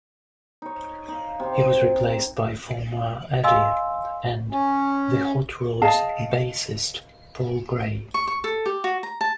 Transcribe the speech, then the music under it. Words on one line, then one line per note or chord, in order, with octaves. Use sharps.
He was replaced by former Eddie and the Hot Rods bassist Paul Gray.
D#4 C#5
D#4 F5
C3
D#5 F5 G#5 C6 E6
C#4
G#4 D#5 F5 A5
C#6
C#6
A4
G4
F#4
A#5
A5